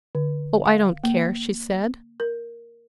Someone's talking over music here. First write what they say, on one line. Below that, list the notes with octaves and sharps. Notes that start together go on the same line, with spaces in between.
"Oh, I don't care!" she said.
D3
F5
A#3
A#4